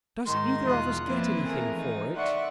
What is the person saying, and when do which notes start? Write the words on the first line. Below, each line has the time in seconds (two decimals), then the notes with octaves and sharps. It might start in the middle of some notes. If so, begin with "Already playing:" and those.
"Does either of us get anything for it?"
0.25 G#2 D#3 C6
0.63 E2 B2 F4 D#6 F#6
1.04 F3 A#3 C4 D4 E4 B4
1.44 E3 A3 G#4 A#4
1.73 E3 D#4
2.15 D5 E5 F#5 C6 C#6